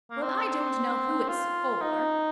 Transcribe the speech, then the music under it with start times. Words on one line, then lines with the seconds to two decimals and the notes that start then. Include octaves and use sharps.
Well, I don't know who it's for!
0.11 A#3
0.22 C4
1.28 F4
1.81 D#4